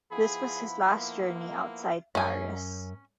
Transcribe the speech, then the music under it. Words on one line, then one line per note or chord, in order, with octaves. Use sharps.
This was his last journey outside Paris.
F3 B3 E4 G#4 B5
A#3
F#2 C#4 G#5